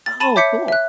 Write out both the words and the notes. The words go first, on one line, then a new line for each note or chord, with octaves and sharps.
Oh, cool.
A6
A5 B5 A6 D#7 E7
C#5 E5 D6 G6 B6 C#7
E5 F#6